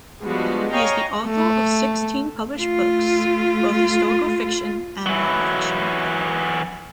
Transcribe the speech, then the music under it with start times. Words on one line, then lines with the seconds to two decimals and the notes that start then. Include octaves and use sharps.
He is the author of sixteen published books, both historical fiction and non-fiction.
0.22 F3 G3 G#3 B3 D4 F#4
0.72 C#5 D#5 F5 G5 G#5 A#5
1.27 A3
2.57 A3 F4
5.06 E3 F#3